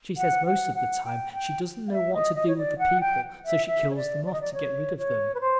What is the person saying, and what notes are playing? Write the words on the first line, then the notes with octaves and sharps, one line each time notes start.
She says most of the time she doesn't know what to do with the people so she kills them off to get rid of them.
F#5
F#5
F#5
G5
G5
F5
E5
D#5
D#5
C#5
D5
F#5
G5
E5
E5
C#5
D5
D5
D#5
D5
C#5
C#5
B4
C5